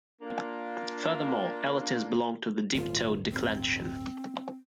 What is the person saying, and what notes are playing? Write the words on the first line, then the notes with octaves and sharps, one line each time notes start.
Furthermore, elatives belong to the diptote declension.
A#3 D4 F4
D1 G1 F4
C4